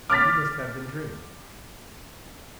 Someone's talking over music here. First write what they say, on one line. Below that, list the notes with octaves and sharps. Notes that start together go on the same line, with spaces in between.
You must have been dreaming!
D6 F6 A6 B6